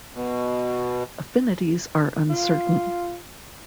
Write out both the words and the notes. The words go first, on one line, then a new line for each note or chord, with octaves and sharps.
Affinities are uncertain.
B2
F4